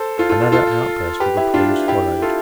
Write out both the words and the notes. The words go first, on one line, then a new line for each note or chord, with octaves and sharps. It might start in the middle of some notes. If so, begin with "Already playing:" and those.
Another outburst of applause followed.
Already playing: A4 C5
F4 A4
F4 A4
F4 A4
F4 A4
G4 B4
E4 G4
D4 F4
E4 G4
F4 A4